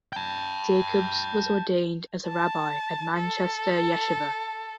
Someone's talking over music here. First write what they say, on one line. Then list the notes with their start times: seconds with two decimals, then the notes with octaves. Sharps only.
Jacobs was ordained as a rabbi at Manchester Yeshivah.
0.13 G5 A5
2.28 A5
3.16 A4